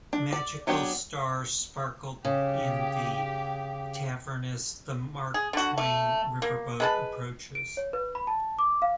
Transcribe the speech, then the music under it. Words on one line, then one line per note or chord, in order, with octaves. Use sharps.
Magical stars sparkle in the tavern as the "Mark Twain" Riverboat approaches.
D4
D5
F#3 B3 D4 G4 C#5
C#3 G4
G#4
D3 F#4
A3
A#3
G#3 B4 A5
D7
C#5
B4
B5
A5
D6
F5